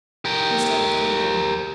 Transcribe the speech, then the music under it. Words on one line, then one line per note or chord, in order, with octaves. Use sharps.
He started for the door.
G4 A#4